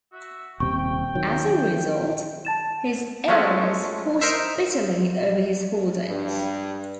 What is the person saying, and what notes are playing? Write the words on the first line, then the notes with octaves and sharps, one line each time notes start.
As a result, his heirs fought bitterly over his holdings.
F#4 E5
D#1 C3 G5 C#6
D#3 F#3
A5 A6 E7
F3 F#3 G#3 A3 C#4
D#4 A#4 C5 E5
G2